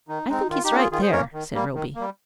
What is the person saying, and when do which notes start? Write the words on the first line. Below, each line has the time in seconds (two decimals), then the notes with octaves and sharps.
"I think he's right there," said Roby.
0.08 D#3 D#4
0.29 G#3 C4 D#4
0.49 D#3 F4
0.64 D#4 G4
0.71 A#3 C#4
0.77 F4 G#4
0.91 D#3 F4 G#4
1.02 G#4 C5
1.12 A#3 C#4 A#4 C#5
1.33 D#3
1.54 G3 A#3
1.74 D#3
1.95 G3 A#3